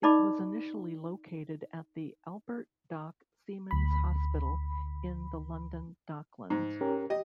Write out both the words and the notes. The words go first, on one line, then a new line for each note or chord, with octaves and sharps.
It was initially located at the Albert Dock Seamen's Hospital in the London Docklands.
D#4 A4 D5 D#5 B5 D6
D2 B5
G#2
C#4 G4 A#4
G4 D#5